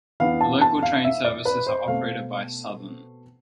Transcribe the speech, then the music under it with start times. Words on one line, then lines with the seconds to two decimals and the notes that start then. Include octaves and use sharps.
The local train services are operated by Southern.
0.20 E3 B3 D4 F5
0.41 A5
0.61 A5
0.83 F5
1.04 E5
1.25 D5
1.45 B4
1.67 C5
1.88 B2 A3 C4 F5